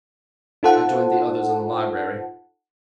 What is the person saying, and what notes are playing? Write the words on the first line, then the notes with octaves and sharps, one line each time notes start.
I joined the others in the library.
D#4 F4 A4 C5 F#5 A5